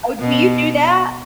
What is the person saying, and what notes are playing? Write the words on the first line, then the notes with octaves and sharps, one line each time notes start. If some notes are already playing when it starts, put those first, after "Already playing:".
Oh, do you do that?
B2